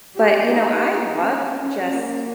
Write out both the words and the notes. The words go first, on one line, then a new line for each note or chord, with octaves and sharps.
But, you know, I love just
G4
D#4
C#4
C#4
A#3